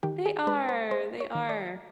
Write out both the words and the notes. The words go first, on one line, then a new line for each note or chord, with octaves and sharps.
They are, they are.
D#3 G4
G#4
G#3 B4
C5
G#3 C5
C#5
D#3
D5